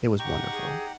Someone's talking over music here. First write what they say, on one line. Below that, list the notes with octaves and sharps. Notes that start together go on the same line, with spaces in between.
it was wonderful.
D#4 G4 F#5 G5 A#5 C#6
G#4